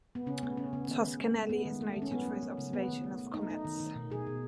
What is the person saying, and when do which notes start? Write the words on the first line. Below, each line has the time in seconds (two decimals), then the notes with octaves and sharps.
Toscanelli is noted for his observations of comets.
0.15 B3
0.27 C#3 C#4
0.43 A3 B3
0.57 C#3 C#4
0.73 C#3 B3
0.88 D#3 B3
1.04 D#3
1.19 G#3
1.35 G#3
1.49 A3 B3
1.65 D#3
1.81 A3
1.96 D#3
2.02 C#4
2.11 F#3 B3
2.27 F#3
2.43 F#3
2.57 C#3
2.72 A3 B3
2.88 D#3
3.04 A3
3.19 A3
3.34 A3 D#4
3.50 F#3 D#4
3.65 D#3
3.80 D#3
3.95 B2
4.10 B2 G#4
4.27 B2